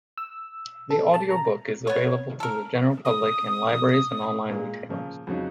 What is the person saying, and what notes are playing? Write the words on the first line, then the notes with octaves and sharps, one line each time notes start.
The audio book is available to the general public in libraries and online retailers.
E6
A4
A5
A#5
B3 C#5
A4 A#4
D#6
A#2 G#3
A#2 C#3 F3
F2 C#3 F#3 D#4